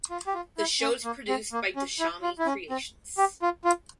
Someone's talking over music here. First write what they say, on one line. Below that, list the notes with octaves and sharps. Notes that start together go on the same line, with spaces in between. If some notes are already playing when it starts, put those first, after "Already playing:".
The show is produced by Dashami Creations.
F4
G4
F4
E4
C#4
A#3
C4
A#3
C#4
E4
F4
E4
C#4
C4
G4
F4
F4